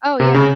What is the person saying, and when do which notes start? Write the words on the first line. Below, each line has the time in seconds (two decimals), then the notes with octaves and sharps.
Oh, yeah.
0.20 C3
0.34 C#3